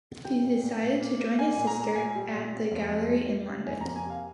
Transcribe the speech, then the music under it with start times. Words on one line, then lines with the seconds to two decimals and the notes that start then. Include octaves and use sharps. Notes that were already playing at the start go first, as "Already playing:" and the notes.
He decided to join his sister at the gallery in London.
0.25 G3 G5
0.44 A#2
0.63 A#2
0.82 A#2
1.01 A#3
1.20 A#3
1.38 A#3 G#5
1.53 A#2 G#5
1.67 A#5
1.77 A#3 A#5
1.95 A#2 G#5
2.15 G3
2.34 A#2
2.53 C3
2.71 F2
2.90 C3
3.10 G3
3.28 G3
3.47 C3
3.67 F2 G#5
3.81 A#5
3.86 A#3
3.96 G#5
4.05 C3 F5